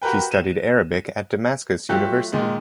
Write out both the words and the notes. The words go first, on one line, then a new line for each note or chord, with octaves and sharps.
She studied Arabic at Damascus University.
F#4 G4 A#4 B4 G5
D#7 E7
F#3 A3 F4 G4 E5 F#6
A#2 D#3 G#3